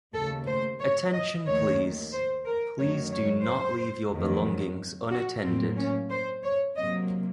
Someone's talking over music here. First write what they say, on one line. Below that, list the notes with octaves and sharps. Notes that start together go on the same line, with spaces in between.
Attention please, please do not leave your belongings unattended.
D#2 C#3 A3 A4
C5
C#5
D#5
D#2 D#3 A3 C#5
C5
A#4
F#2 D#3 F#3 A3 C#5
C#5
C5
F2 D#3 F#3 A3
F#4
A2 F#3 A#3 C4
C#4
C5
C#5
C3 F#3 A#3 D#5